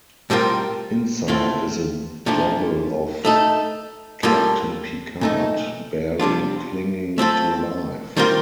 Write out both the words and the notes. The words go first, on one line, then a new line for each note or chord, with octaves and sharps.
Inside is a double of Captain Picard, barely clinging to life.
A2 G3 C4 F4 A#4
A2 A3 C4 F4
A#2 F3 A3 D4 F4
A3 D#4 A4
A2 G3 A#3 F4 A4
A#2 A3 D#4
C3 G3 D4 F4
A3 C4 F4 A4
D#3 G3 C4 F4 A#4